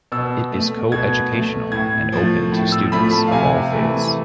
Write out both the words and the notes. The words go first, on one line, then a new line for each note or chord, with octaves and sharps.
It is coeducational and open to students of all faiths.
B2 E6
A3
B2 G#6
A3
A2 G#6
F3 A3
A2
E6
F3 A3 B5
A5
F5
C3 G#5
E3 A3